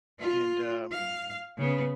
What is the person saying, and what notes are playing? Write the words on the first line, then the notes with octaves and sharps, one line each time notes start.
and, um,
F4
F5
C#3 B3